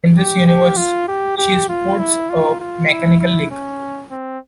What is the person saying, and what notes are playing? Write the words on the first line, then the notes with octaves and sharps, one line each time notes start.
In this universe, she sports a mechanical leg.
G4
G4
F4
G4
G4
F4
E4
F4
F4
E4
E4
C#4
C4